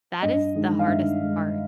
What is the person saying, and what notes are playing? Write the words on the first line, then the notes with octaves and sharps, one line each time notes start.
That is the hardest part.
G2 D#5
D#3 G#3
F5
G2 E5
D#3 G#3